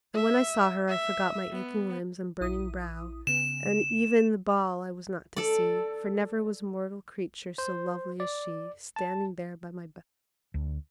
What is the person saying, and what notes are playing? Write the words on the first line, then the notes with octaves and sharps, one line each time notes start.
And when I saw her I forgot my aching limbs and burning brow, and even the ball I was not to see, for never was mortal creature so lovely as she, standing there by my bed.
E5
E5
B3
A#1 E4 D#6
C#3 B3 E7
A4 D5
C5
D5
A5
D2